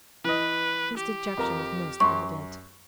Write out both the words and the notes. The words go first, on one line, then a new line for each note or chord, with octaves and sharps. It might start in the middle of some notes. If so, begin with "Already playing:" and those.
His dejection was most evident.
E3 B4 D#5
G4
F2 A#4 A#5
F#2 C6 C#6